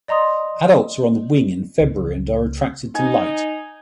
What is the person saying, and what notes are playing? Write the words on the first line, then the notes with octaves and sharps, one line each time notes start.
Adults are on the wing in February and are attracted to light.
D5 D#5 A#5 C6 D#6
C#2
D#4 G#5